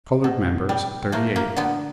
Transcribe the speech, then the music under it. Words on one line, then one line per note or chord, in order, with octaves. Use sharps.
Colored members, thirty-eight.
B2
G3
A3 A#3
A#3
D3 B3